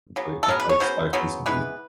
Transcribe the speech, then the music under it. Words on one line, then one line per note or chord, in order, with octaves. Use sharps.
but, I finds finds things to do.
C#3 F#3 B3
A4
C#3 F#3 B3 A#4
B4
C#5
C#3 F#3 B3 C5
C#3 F#3 B3
E3 G#3 B3 B4